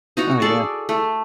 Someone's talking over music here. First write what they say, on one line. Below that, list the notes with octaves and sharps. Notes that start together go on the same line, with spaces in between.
Oh, yeah.
D#4 F#4 A#5
G#4 A4 D5
A3